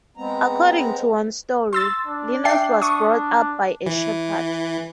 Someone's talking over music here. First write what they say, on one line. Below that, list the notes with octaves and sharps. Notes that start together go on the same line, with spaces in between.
According to one story, Linus was brought up by a shepherd.
G#3 B3 C4 A#5
C6 E6 A6
D4
E5 G5 C7
C#6 D#6
E3